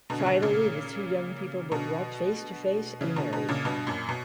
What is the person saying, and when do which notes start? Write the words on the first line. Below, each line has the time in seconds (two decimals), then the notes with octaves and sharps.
Finally the two young people were brought face to face and married.
0.10 B2 D3
0.20 C#3
0.26 B2 D3
0.42 A#2 C#3
1.71 B2 D3
3.01 C#3 E3
3.16 B2 D3
3.33 B2 D3
3.49 A#2 C#3
3.65 G2 B2
3.87 F#2 A#2
4.09 B2